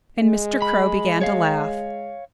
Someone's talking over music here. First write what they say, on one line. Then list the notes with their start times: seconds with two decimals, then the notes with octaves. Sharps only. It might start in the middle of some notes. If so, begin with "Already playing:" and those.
And Mr. Crow began to laugh.
0.18 G#3
0.62 B5
1.21 C#5 F5